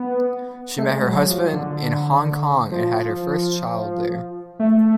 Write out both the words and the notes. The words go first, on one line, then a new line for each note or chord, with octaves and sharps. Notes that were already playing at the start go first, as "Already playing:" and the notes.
She met her husband in Hong Kong and had her first child there.
Already playing: B3
A3
G#3
F#3
F3
D3
F3
A3